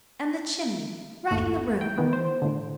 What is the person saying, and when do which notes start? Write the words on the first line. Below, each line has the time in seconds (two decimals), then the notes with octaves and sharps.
And the chimney right in the room!
1.31 G1 D#2 A3
1.81 G5
1.98 D#3 E3 B3
2.13 C5
2.42 A2 D3